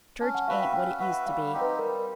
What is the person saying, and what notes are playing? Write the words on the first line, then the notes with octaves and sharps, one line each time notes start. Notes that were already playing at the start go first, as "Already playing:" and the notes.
Church ain't what it used to be.
C#4 A5
F#5
F#4 B4 E5 F5
G5
C#4 G5
F#4 B4 E5 F#5
G3 F5
C4 D#4 G4
B4
G3 A#4